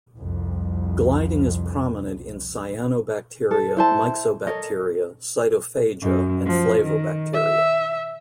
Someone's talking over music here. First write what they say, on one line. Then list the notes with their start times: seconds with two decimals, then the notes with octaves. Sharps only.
Gliding is prominent in cyanobacteria, myxobacteria, cytophaga, and flavobacteria.
0.17 C2 F2
3.51 A4
3.77 E4 C5 A5
4.47 A4 A#4 C#5 D#5
6.02 F#2
6.46 F3
6.83 D#3
7.33 E5